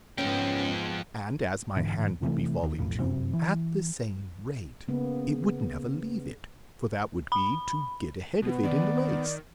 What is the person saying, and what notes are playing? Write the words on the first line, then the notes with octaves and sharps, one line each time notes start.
And, as my hand would be falling too--at the same rate--it would never leave it, for that would be to get ahead of it in the race.
G#2 C#3 F3 G#3 B3 C#4 G5
G#2 D3 E3
C3 E3 G3 A3
D#2
E1 B1 F2 A2
G1 F#2 C3 C4
E3
C#3 A#3 B3
B5
B2 B3
D#3 D5